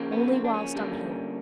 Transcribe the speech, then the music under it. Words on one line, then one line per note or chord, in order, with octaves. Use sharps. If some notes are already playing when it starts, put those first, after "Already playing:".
'Only whilst I'm here.'
Already playing: C#3 F3 A#3
B3
C4
D4
C#4
D3 G3 A#3